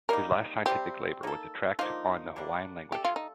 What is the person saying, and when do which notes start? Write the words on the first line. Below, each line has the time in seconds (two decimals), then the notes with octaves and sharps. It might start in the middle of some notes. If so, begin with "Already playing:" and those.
His last scientific labor was a tract on the Hawaiian language.
0.09 G3 A#3 D#4 A#4
0.66 C3 G3 C4 G4
1.23 A#3 D#4 A4
1.79 D3 F3 A#3 D#4 F4
2.36 D3 G3 A#3 D4
2.92 A3 D4 G4 A4
3.05 F4
3.16 D#4